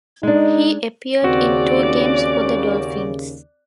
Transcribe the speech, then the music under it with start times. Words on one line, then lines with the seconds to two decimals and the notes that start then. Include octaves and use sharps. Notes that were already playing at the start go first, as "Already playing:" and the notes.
He appeared in two games for the Dolphins.
0.23 G#3 D4 D#4
1.24 D#2 C#3 C4 F#4 D5 D6